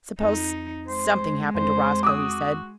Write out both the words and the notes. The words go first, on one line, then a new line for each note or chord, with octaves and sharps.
"Suppose something happened to Roscoe," he said.
F2 D#4
G#3 C5
F2 C5
F#4 D6 D#6